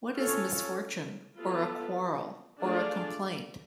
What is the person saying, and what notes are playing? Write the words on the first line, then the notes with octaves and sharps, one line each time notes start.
What is misfortune, or a quarrel, or a complaint?
C#4 F4 A4 C#5
B3 F4 A4
A3 D4 F4 G#4 D5